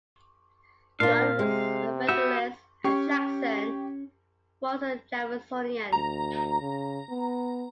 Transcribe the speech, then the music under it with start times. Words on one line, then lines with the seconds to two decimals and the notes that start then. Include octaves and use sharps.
Gunn was a Federalist, and Jackson was a Jeffersonian.
1.00 A#2 D4 F4 F5
1.39 C3 G#3
2.08 B3 F#4 G4 E5
2.84 C#4 G4 C#6
5.93 D2 A#5
6.61 C#3
7.09 B3